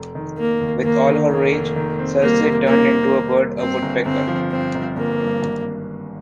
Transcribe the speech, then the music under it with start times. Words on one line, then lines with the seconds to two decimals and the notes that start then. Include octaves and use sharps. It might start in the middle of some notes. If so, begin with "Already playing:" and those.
With all her rage, Circe turned into a bird, a woodpecker.
Already playing: F1
0.15 D#3
0.38 F1 A#3
0.61 D#2
0.84 D#2 A#3
1.06 D#3
1.30 F1 A#3
1.52 F1
1.76 D#3
1.99 C4
2.21 G3 A#3
2.44 C3
2.67 D#3 A#3
2.91 C4
3.14 D#3
3.37 G3
3.59 G2 C4
3.82 G1
4.05 G1 C4
4.28 F3
4.51 G2 C4
4.75 G1
4.96 G1 A#3
5.20 G2
5.42 G#1